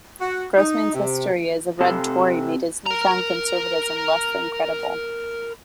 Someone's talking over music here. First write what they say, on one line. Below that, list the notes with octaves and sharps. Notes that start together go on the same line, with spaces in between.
Grossman's history as a Red Tory made his new-found conservatism less than credible.
F#4
D#4
C3
C3 A4
A#4 A#5